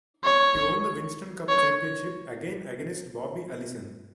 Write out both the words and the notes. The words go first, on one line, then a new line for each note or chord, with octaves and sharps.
He won the Winston Cup championship again against Bobby Allison.
C#5
C#5